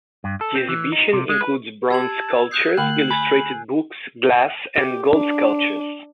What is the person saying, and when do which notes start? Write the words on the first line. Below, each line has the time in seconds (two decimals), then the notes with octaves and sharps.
The exhibition includes bronze sculptures, illustrated books, glass and gold sculptures.
0.24 G2
0.41 A4
0.55 C4
0.69 E3
0.92 D#4
1.13 C3
1.29 G#3
1.41 B4
1.90 G4 A5 E6 G#6 F#7
2.51 D#6 F#6 G6 C7
2.77 D3 A3 G5 F#6 F#7
3.11 G#5 B5
4.76 G4
5.08 D4